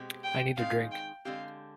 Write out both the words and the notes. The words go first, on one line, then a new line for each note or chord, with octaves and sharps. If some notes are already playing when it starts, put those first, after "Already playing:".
I need a drink.
Already playing: B2 G#3 C4 G4
G5
D#3 G#3 C4 D#4 F5
G5
D3 G#3 C4 G4 F5